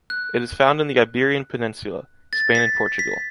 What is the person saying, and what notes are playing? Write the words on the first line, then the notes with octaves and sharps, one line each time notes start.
It is found in the Iberian Peninsula: Spain and Portugal.
F#6
A6
B6
B6